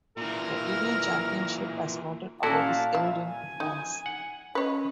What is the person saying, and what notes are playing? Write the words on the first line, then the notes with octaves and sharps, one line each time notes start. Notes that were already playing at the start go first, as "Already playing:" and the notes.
The Evian Championship, as noted above, is held in France.
A#2 E3 A#4
A#2 C#4 E4 F#4 A4 F5 A5
E5
G#5
D#4
F#5
C#4 B4 C#5 D#5